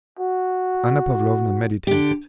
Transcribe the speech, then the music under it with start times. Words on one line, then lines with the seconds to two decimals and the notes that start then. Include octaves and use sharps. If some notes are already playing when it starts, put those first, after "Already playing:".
Anna Pavlovna meditated.
0.19 F#4
1.87 D3 G4